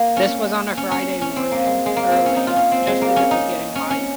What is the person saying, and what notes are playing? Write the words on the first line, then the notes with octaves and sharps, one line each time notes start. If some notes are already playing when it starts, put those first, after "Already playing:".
This was on a Friday morning, early — just as it was getting light.
Already playing: A#3
C#4
C#4
C#4
C#4
C4
A#3
G#3
G#3
A#3
C4
C#4
D#4
F4
C#4
C4
G#3
A#3
C#4
D#4
C#4
C#4